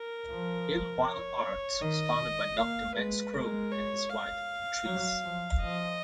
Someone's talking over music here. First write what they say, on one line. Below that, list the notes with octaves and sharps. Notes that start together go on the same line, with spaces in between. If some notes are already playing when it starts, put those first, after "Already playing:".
Idyllwild Arts was founded by Doctor Max Krone and his wife, Beatrice.
Already playing: A#4
F3
C#5
D#3 D#5
A#3 F5
G#3 B4
G#3 A#4
C#5
F5
F#3
F3
F3 D#5